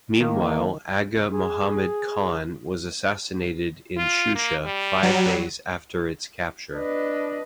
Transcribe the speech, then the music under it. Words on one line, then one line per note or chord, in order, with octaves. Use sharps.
Meanwhile Agha Mohammad Khan was assassinated in Shusha five days after its capture.
D#3 A#3
G#4
F4
A#3
G3
F#3
D4 B4 D#5